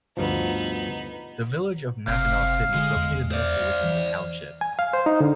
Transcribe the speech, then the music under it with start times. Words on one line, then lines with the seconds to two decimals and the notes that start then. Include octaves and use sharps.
The village of Mackinaw City is located mostly within the township.
0.17 D2 G2 F3 B3 D#4
2.07 F#1 C3 F5
2.74 D3 G#3
2.96 E2
3.32 C5 D5 F5
3.83 E3
4.61 G#5
4.79 F5
4.93 C5
5.06 D#4
5.21 D3